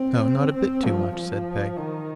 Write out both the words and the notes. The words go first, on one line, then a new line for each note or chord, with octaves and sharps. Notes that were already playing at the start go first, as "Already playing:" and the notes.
'No, not a bit too much,' said Peg.
Already playing: C4
C4
F3
F3
D#3